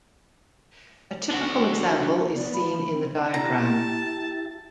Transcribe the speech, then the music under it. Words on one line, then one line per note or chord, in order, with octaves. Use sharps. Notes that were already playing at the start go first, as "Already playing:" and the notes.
A typical example is seen in the diagram.
D3 F#4
B3 D5
F3 B5
C4
E4 G4 A5 A#5 A6